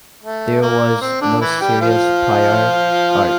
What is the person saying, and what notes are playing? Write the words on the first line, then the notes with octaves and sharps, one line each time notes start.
There was no serious prior art.
A3
A#3
C4
D3 D4
E3 E4
G3 G4
F3 F4